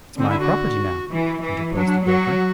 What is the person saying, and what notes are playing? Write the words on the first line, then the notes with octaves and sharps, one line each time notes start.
"It's my property, now," interposed the broker.
D3 C4
E4
F#4
E3
E3
F#3 D4
D4
F#3 F#4